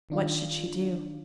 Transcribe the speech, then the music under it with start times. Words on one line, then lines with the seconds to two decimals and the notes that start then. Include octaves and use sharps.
What should she do?
0.10 D#3 D4 F4